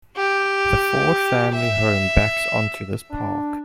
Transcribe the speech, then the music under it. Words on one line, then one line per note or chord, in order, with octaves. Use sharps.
The Ford family home backs onto this park.
G4
E5
D4